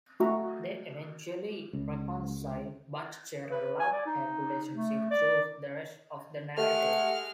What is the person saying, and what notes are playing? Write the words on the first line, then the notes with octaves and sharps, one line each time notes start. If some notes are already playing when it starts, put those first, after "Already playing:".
They eventually reconcile, but share a love-hate relationship through the rest of the narrative.
A3 F#4 E5 A#5
C#2
B4
G#5
D5
D#4
A3
D5
G#3 A3 G4 A4 F#5 F6